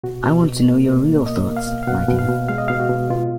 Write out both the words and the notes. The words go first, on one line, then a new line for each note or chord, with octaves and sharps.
I want to know your real thoughts, my dear.
B2 F#4
B2
B2
A#3
B2
A#3
A#3 D#5
A#3
F5
B2
F5
B2 F#5
B2
F5
B2
G#3 F5
D#5
B2 F5
F#4
B2
B2 F4